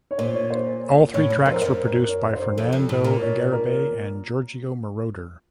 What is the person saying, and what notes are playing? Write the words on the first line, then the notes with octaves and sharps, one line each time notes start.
All three tracks were produced by Fernando Garibay and Giorgio Moroder.
C#5
A#2 C5
C#5
C5
A2 C#5
F#2 C#5
F2 C5
A#4
F#2 C5
A#4
C#5
C5
F2 A4
F2
A2
A#2 A#4
C#5
A#4